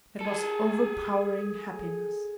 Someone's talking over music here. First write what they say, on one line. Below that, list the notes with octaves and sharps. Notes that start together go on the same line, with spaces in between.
It was overpowering happiness.
G#4 A4